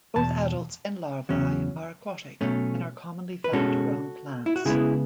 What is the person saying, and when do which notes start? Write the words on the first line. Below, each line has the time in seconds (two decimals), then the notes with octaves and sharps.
Both adults and larvae are aquatic, and are commonly found around plants.
0.16 E2 B2 A5
1.29 E2 C#3 F#3 C#4
2.41 B2 F#3 A3 C#4
3.44 B4
3.52 B2 G#3 C#4 F#4 A4
4.46 E4
4.56 F#4
4.65 C#3 G#3 B3 E4 G#4